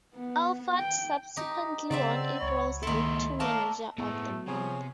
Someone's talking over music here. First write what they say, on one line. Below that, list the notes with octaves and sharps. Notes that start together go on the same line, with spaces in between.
Awford subsequently won April's League Two Manager of the Month.
B3
G5
D#4 G4
C#3 F#3 C4 C5 D5 E5
C#2 C#5 B5
D#3 A#3 E4 A4 C6
A3 A#3 A#4 C#5 F5 A5
A2 G#3 A3 B3
C3 F3 G#4 C#5